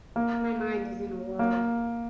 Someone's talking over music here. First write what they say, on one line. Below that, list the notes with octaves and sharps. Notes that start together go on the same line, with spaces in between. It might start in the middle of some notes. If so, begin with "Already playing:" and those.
My mind is in a whirl.
A#3
A#3